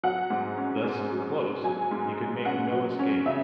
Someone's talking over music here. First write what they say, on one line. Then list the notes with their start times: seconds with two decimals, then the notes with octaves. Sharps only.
Thus close, he could make no escape.
0.03 F#3 F#5
0.30 G#2
0.57 C#4
0.84 G#2
1.12 F#3
1.38 F#3
1.64 F#3 G#5
1.91 G#2
2.18 F#3
2.45 C#4 F#5
2.72 F#3
2.99 C#4
3.26 C#3 E5